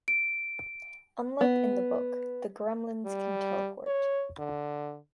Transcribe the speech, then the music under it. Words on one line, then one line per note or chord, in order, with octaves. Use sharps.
Unlike in the book, the Gremlins can teleport.
D7
B3
G3
C#5
D3